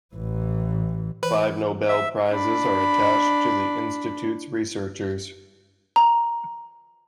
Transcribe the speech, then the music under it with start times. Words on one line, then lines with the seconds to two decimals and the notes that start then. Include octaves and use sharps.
Five Nobel prizes are attached to the Institute's researchers.
0.15 A1 E3
1.23 E3 B4 C5
1.89 E5
2.30 D4 B5
5.96 A#5